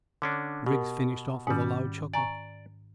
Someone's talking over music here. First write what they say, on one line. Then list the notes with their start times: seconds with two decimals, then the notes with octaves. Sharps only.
Griggs finished off with a loud chuckle.
0.22 D3 C#4 D4
0.66 B2 G4 A#4
1.47 G#2 D#3 G3 C#4 F#5
2.14 D5 G#5 A#5 C#6